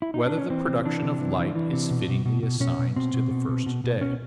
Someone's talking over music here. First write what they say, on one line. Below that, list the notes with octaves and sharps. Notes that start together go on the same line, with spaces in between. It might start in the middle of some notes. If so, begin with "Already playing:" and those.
Whether the Production of Light Is Fittingly Assigned to the First Day?
E4
D#4
D4
C#4
E3 C4
C3
E3 D4
C3
E3
E3
E3
C3
B2
B2
B2
B2
B2 C#4
B2
B2 C4
B2
B2
B2
B2
B2
B2 C#4